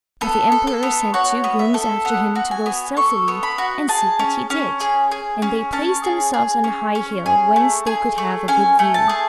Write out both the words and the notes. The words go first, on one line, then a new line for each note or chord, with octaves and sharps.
But the emperor sent two grooms after him to go stealthily and see what he did, and they placed themselves on a high hill whence they could have a good view.
B3 A4
A4
A4
B3
F#4 C#5
B3
E5
A4
B3 F#5
F#4
G#5
B3
A4 C#6
B3
B5
F#4
G#4 A5
C#4
C#4
G#4
G#4
C#4
C#4 A5
G#4
G#4
C#4
C#4
G#4
A3
G#4
A3
C#4 G#5
A3
A5
G#4